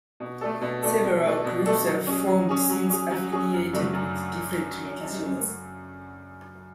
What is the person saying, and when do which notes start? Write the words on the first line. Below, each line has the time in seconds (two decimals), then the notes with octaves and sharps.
Several groups have formed since, affiliated with different traditions.
0.20 B2
0.41 A3 D4 A4
0.61 B2
0.82 A3 D4 A4
1.03 B2
1.24 A3 D4 A4
1.45 B2
1.66 A3 D4 A4
1.86 F#3
2.07 C#4 G#4
2.27 F#3
2.49 C#4 G#4
2.70 F#3
2.89 C#4 G#4
3.11 F#3
3.32 C#4 G#4
3.53 F#2
3.73 C#3 F#3 A3 D4
3.93 F#2